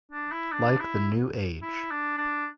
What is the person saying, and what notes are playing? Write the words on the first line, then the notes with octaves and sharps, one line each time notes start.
Like the New Age.
D4
E4
D4
E4
E4
D4
D4